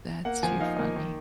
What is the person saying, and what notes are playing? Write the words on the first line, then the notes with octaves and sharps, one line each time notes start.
That's too funny.
A#3 F#5
F3 G#5
D#4 F5
A#3
D#3